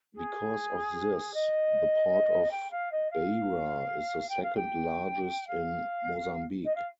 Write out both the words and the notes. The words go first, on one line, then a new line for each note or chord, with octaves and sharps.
Because of this, the port of Beira is the second largest in Mozambique.
G#4
D#5
G5
F5
D#5
F5
G5
F5
G5
F5
D#5
F5